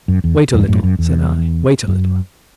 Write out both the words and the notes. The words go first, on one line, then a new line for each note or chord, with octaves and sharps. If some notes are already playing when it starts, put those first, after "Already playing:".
"Wait a little," said I, "wait a little."
F#2
E2
E2 G2
F#2 A2
F#2
E2
F#2